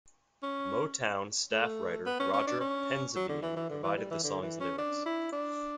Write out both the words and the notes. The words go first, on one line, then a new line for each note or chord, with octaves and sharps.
Motown staff writer Roger Penzabene provided the song's lyrics.
C#4
A3
B3
C#4
C#4
D4
C#4
F#3
D3
E3
E3
D3
E3
G3
E3
D3
E3
C#4
D4
E4
D4